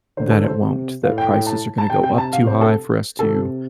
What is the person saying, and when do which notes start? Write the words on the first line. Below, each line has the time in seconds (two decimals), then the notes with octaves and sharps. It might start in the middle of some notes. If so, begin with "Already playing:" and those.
that it won't, that prices are gonna go up too high for us to
0.17 D3 C5
0.31 A4
0.44 C5
0.60 C3
1.03 A2 F5
1.18 G5
1.32 G5
1.46 A5
1.78 A5
1.90 C3 G5
2.03 G5
2.18 A5
2.33 F5
2.47 C5
2.61 A4
3.19 C3 A4